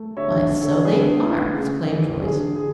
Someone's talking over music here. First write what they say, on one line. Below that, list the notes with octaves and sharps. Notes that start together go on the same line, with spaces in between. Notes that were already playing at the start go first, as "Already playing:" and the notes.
"Why, so they are!" exclaimed Joyce.
Already playing: A3
D3 C#5 E5
D3
A4 C#5
D3 G#4 B4
A3
C#3
E3
D3 G#4
D3 G#4